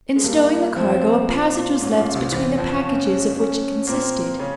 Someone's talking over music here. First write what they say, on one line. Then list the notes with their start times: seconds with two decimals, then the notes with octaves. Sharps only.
In stowing the cargo a passage was left between the packages of which it consisted.
0.16 G#3
0.24 G2 G3 A#3
0.76 F2 F3 C4
1.28 A#2 C4
1.54 A#2
1.80 G#2 C#4
1.97 A#2
2.15 C2 C3
2.32 E2 E3 C4
2.58 F2 F3
2.84 C#4
3.36 C#4
3.87 A#2 A#3 C4
4.39 C#3 C#4